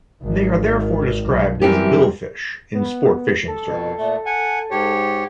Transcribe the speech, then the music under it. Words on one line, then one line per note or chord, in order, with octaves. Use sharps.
They are therefore described as billfish in sport-fishing circles.
G#1 D#3
B1
F#2 E3 G3 C4 G4
B3
A4
F2 B2
A#2 A3
F#5 G#5
G#2 G4 C#5